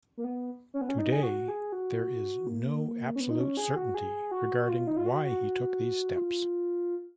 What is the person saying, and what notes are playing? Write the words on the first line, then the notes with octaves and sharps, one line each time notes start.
Today, there is no absolute certainty regarding why he took these steps.
A#3
B3
C#4
B3
C#4
D#4
G#4
F#4
G#4
F#4
A#3
C#4
B3
D#4
C#4
G#4
F#4
G#4
F#4
F#4
F4
D#4
F4
F#4
F#4
F4